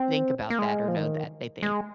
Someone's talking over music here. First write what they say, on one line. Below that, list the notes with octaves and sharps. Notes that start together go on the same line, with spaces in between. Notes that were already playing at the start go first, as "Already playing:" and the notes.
think about that or know that. They think,
Already playing: C4
A#3
G#3
F3
D#3
G#3